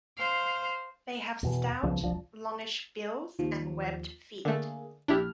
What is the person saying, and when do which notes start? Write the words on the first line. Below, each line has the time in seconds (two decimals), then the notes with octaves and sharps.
They have stout, longish bills and webbed feet.
0.18 C5 F5
1.43 E2 B2 E3
1.83 C2 C#3 F3 B3
2.01 E1 C2 F3 D4
3.39 D#2 F3
4.45 D3 A3 A#3 G#4
5.08 A#1 D4 E4 G4 F6